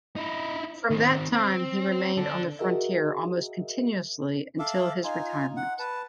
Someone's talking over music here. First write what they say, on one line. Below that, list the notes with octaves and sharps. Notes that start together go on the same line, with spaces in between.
From that time he remained on the frontier almost continuously until his retirement.
D#4 E4
D#3 C4
C4
D4 A4
F#4 G#4 A#4 D#5 E5
A4 E5 F5 D6
D#4 F4 G#5
F#5
B4 A5